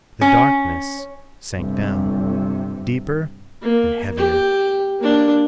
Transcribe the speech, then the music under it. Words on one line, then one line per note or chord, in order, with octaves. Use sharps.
The darkness sank down, deeper and heavier.
C#4
G1 C3
A#3
G4
A#3 D4